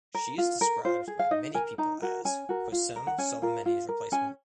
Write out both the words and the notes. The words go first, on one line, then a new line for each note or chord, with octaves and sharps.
She is described by many people as "Qasem Soleimani’s replacement".
A#4
F4
A#4
F4 C5
G#4
F5
D#4 D#5
A#4 G#5
D#4 A#5
F#4 A#4
C#4 G#5
F#4 A#4
F4
A#4
F#5
C#4 G#5
F4 A#4
F4
A#4
C#4 G#5